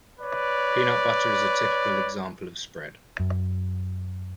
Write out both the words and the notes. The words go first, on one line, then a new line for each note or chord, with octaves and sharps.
Peanut butter is a typical example of spread.
B4 C#5 D5
F#2